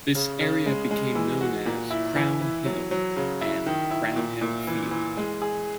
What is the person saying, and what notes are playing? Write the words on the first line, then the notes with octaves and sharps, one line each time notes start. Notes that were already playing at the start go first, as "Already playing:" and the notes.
This area became known as Crown Hill and Crownhill Field.
C#3
C#3
G#3
G#3
E3
F#4
A#2
E4
E3
E3
F#3
F#3
C#3
E4
D#3
E4
A#2
A#2
E3
E3
G#3
G#4